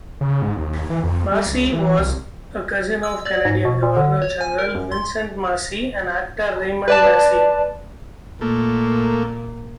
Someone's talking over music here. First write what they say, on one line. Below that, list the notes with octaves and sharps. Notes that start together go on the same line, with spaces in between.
Massey was a cousin of Canadian Governor General Vincent Massey and actor Raymond Massey.
C#3
G#2
D#2
E3
F2
G3
C#2
E3
C2
E6
D5
G#2
B2
A#2
D3
C#5
G#5
A#4
F#2
C6
B4 D5 A5
A#2 A3 A#3